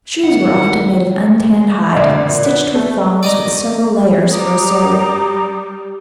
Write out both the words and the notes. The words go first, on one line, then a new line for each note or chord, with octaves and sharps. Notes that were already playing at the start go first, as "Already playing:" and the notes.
Shoes were often made of untanned hide stitched with thongs, with several layers for a sole.
G#1 F#5
D2
A#2
B3
A3
D5 D#5 A#5
G3 A#5 D6 D#6